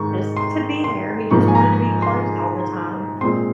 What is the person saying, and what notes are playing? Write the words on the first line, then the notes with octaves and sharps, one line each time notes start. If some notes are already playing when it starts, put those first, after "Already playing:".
just to be there, he just wanted to be close all the time,
Already playing: G#2 D#3 G#3 C#6
C6
C6
G#2 F3 A#3 C#6
G#5
A#5
C6
A#2 G#3 C4 C6